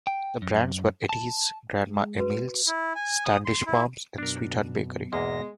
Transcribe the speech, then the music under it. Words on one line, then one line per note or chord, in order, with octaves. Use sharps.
The brands were Eddy's, Grandma Emile's, Standish Farms and Sweetheart Bakery.
G5
F#2
A5
G#3
F#4 B4
E4
G#5
D#6
C6
E4
F#2 B2 D4 A#4
E2 G#2 B2 G#3 A#3 A#6